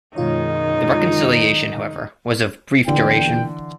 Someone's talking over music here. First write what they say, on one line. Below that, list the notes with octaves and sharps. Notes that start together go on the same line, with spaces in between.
The reconciliation, however, was of brief duration.
F#2 B2 D#3 G#3 D#4 F4 C#5
E2 A#2 D3 E3 G5